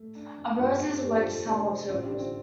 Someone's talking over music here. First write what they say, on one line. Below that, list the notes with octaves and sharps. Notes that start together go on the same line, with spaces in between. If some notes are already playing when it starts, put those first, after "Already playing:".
A rose is a wedge sum of circles.
Already playing: A3
D4
F2
G2 C4 F4
G2
F2 D4 G4
C4 F4
F2
F4 A4
C3 D4 G4
C5
G4
A1 C4 F4
D4 G4
D3
C4 F4